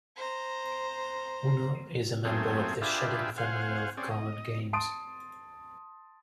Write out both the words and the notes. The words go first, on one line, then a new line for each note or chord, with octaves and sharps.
Uno is a member of the shedding family of card games.
C5 A#5
F#2 A#2 A3 C4 G#4
D4 F4 G4 G#4 B4 E5
C5 F5 F#5 G#5
C4 C#4 G#4 D5
D#5
A5 C6 D#6 D7